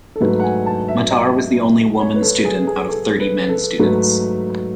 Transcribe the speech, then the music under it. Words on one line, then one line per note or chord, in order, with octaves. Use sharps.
Matar was the only woman student out of thirty men students.
A4
G#2 F#3 A3 B4
F#5
G#5
A5
E5
D#5
C#5
B4
A4
G#4
G#4
A4
B4
A4
G#2 F#3 A3 B4